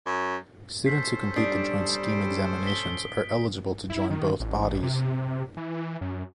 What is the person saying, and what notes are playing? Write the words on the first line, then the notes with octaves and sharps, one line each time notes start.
Students who complete the Joint Scheme examinations are eligible to join both bodies.
F#2
C#4 A4 C5 G6 B6 C7
G3 D4 D#6 C7 D7
D7
B6 G7
E4
D#3
A1
C3
E3
F#2